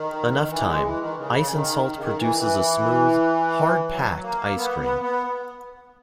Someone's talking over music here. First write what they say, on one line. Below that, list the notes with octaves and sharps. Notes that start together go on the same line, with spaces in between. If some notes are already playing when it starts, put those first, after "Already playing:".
Enough time, ice and salt produces a smooth "hard packed" ice cream.
Already playing: D#3
D#3
E3
G#3
E3
D#3
C#3
D#3
D#3
C#3
D#3
E3
E3
F#3
A#3
B3
B3
B3